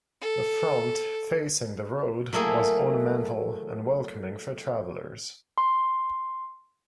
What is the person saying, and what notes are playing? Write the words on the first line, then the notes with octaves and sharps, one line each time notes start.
The front, facing the road was ornamental and welcoming for travelers.
A4
F#3 A3 A#3 E4 G#4
C6